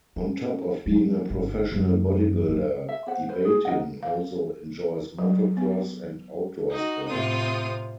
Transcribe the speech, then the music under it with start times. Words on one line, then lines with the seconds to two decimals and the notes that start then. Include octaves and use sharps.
On top of being a professional bodybuilder, Debatin also enjoys motocross and outdoor sports.
0.16 C#4
0.86 F#3
1.30 G1
1.72 F#2
2.48 F#2
2.88 E5
3.07 C5 F#5
3.29 B4 C5
3.45 G#4
3.65 A#4 C5 D#5 F#5
4.03 F5
5.19 F#3
5.57 B3
6.71 D#4 F#4
7.08 A2 C3 C4 F4 D#6